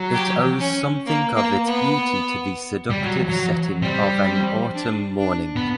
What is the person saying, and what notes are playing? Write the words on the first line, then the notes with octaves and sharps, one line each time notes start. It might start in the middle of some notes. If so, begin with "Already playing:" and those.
It owes something of its beauty to the seductive setting of an autumn morning.
Already playing: F#3
G4
C#4
A#3
A#3
B3
G3
F#3
F#3
G3 C4
C4
D4
D4
B3